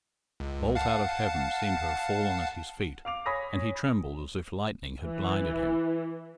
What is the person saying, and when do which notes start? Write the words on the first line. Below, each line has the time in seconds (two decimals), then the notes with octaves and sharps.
A bolt out of heaven seemed to have fallen at his feet, and he trembled as if lightning had blinded him.
0.40 C#2
0.75 F5 F#5 A5
3.05 F5 D6 F7
3.26 C#5 G#5 B5 D#6 A#6 B6
5.03 E3